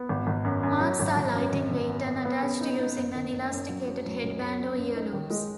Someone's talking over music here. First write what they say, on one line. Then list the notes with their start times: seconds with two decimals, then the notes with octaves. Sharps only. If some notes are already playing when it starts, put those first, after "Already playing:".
Masks are light in weight and attached using an elasticated headband or ear loops.
Already playing: B3
0.09 G#1
0.27 G#1
0.44 F#2
0.63 F#2
0.80 F#3
1.00 G#1
1.17 G#1
1.36 F#2
1.53 G#1
1.71 G#1
1.90 B3
2.06 B3
2.25 B3
2.42 C#3
2.61 D#4
2.79 D#4
2.97 F#1
3.15 D#3
3.32 F#1
3.51 F#2
3.69 F#3
3.87 F#3
4.05 F#3
4.23 C#2
4.41 F#2
4.59 F#3
4.77 F#2
4.95 D#4
5.13 D#3
5.30 G#3